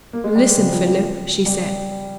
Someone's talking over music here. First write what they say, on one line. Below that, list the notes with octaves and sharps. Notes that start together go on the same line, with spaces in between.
"Listen, Philip," she said.
A#3
G#3
G3
C#3
F3
G3
G3